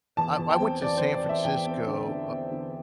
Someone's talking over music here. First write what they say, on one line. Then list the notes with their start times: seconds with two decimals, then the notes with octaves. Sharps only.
I I went to San Francisco,
0.17 E2 A5
0.39 E2
0.49 G5
0.60 C4
0.82 E2 D5
0.98 C5
1.03 C4
1.13 D5
1.24 E2
1.29 E5
1.45 E2 G5
1.67 C4
1.88 D3
2.09 D3
2.31 C4
2.51 D3